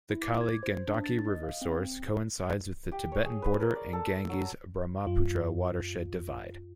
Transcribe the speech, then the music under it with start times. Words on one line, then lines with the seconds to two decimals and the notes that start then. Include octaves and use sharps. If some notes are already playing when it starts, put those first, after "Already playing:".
The Kali Gandaki river source coincides with the Tibetan border and Ganges-Brahmaputra watershed divide.
0.10 E4
0.22 D6
0.41 G#6
0.63 C5
0.88 D4
1.04 A6
1.28 D#5
1.43 F5
1.62 C4
2.92 G4
3.12 C#5
3.25 G#4
3.42 B4
3.60 A#4
3.75 D5
3.93 A4
4.29 F#3
5.07 F#2 F4